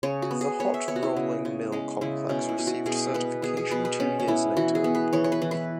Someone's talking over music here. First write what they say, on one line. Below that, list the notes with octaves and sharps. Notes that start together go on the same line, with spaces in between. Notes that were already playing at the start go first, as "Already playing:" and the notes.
The hot rolling mill complex received certification two years later.
C#3 C#5
F#4
B3
G#4
B3 C#5
E5
B3 C#5
F#4
E4
C#3
C#3
G#3 C#4
C#3 E4
B2 C#4
E4
B2
F#4
B2 G#4
B3 B4
B3 G#4
G#4
B2 B4
B4
B3 C#4
C#4
B3 E4
E3 F#4
G#4
B3
B4
E3 C#5
C#5
B4
E3
B4